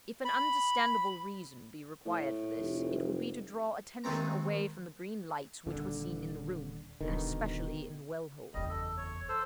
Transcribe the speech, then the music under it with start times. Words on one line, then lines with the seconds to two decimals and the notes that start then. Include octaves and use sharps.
If an understandable reason be required for this, it would be to draw attention away from the green lights which were seen in the room, and especially in the well-hole.
0.25 B5
2.06 A2
2.58 F1
4.04 D#2 D#3 G#3 A3 C4 A#5
5.67 D#1 D3
7.01 D#1 B2 D3 D#3
8.54 F#1 E2 G3 D#5
8.69 A4
8.97 C#5
9.29 A4 C5